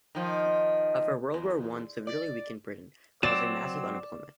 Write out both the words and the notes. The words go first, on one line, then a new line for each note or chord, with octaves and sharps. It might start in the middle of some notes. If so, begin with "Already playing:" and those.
However, World War One severely weakened Britain, causing massive unemployment.
D#3 F3
E2
D5
F#3 C4 D5 E7